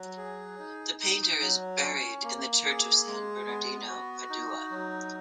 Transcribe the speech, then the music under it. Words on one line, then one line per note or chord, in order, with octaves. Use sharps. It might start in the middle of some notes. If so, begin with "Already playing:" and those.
The painter is buried in the church of San Bernardino, Padua.
Already playing: F#3
G#4
D#4
D#4
F#3
C#4
A#3
G#4
G#3
B3
F#4
D#4
F#3